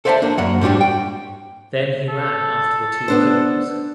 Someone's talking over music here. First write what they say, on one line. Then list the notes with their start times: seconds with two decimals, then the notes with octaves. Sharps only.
Then he ran after the two criminals.
0.05 A4 C5 D5 E5 F5 A5
0.22 A#3 D4
0.38 F#2 A#3 F#5
0.61 G#2 G3 D4 F#4 G4
0.81 G5
2.09 A4
3.08 B3 D4 C5